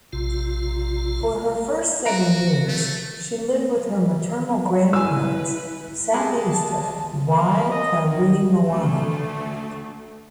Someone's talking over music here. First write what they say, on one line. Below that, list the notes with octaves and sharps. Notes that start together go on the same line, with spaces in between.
For her first seven years she lived with her maternal grandparents southeast of Waikaremoana.
A#1 C3 F4
F#4 F5 A#5 D7
A3
G3 E4 B4 F5 G#5 E6
G#3 G4 G#4 A5
A#3
D#5
D#3
D2 A3